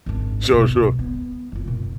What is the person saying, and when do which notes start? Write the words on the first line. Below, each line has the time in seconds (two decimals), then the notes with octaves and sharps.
Sure, sure.
0.06 G#1 D4
0.50 C#2 B2
0.80 G2 G3
0.99 B3
1.52 F#1 F4
1.67 A#2